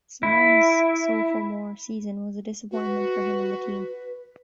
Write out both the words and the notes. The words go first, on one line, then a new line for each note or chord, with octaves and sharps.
Simeon's sophomore season was a disappointment for him and the team.
E4
F#4 B4